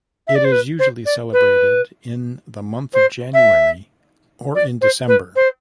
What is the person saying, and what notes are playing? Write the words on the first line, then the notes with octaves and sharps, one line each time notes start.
It is usually celebrated in the month of January or in December.
E5
D5
C5
B4
C5
D5
B4
C5
E5
D5
C5
B4
C5